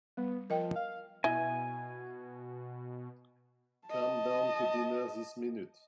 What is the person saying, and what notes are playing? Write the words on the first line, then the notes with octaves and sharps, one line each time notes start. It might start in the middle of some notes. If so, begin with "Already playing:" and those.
Come down to dinner this minute.
G3 B3
F3 A#4 D#5 G5
F5
B2 E4 D#5 E5 G#5
D#5 A5